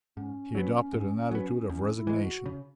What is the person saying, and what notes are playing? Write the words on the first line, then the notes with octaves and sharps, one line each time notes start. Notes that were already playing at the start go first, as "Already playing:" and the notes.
He adopted an attitude of resignation.
G#2 C#4
F#3 B3
G#2
F#3 B3
E2 C#4
E4
E3 G#3
F#4
C#3